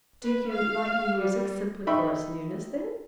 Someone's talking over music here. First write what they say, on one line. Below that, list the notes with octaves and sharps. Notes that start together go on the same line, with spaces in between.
'Do you like new music simply for its newness, then?'
B4
F5
G3
D#4 A4 E5 G5 B5 C#6